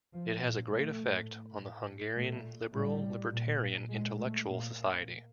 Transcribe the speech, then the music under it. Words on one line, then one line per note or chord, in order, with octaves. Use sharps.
It has a great effect on the Hungarian liberal-libertarian intellectual society.
F3
A#2
A3
A2
A2
A#2 A3
A2 G3
A#2
A#2 G#3
A3
A#2 A#3